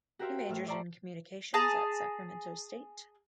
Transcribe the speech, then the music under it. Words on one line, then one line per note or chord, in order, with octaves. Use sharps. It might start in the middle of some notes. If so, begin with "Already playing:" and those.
He majored in communications at Sacramento State.
F#4 G4 A#4 C5 E5 F5
A2 E5 F6
C5 D5 E5 A5 A#5 C#6
G#4 A5 A#5